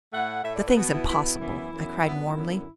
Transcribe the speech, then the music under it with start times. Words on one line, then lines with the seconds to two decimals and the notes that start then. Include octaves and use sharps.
"The thing's impossible!" I cried warmly.
0.12 A2 A3 F#5
0.43 A2 A3 E5
0.55 D5
0.65 B4
0.75 B2 B3 F#4
0.91 E4
1.08 B2 B3 E4
1.24 E4
1.39 F#2 E3 B3
1.70 F#2 E3 B3
2.02 F#2 D3 B3 E4
2.13 D4
2.24 E4
2.34 F#2 D3 B3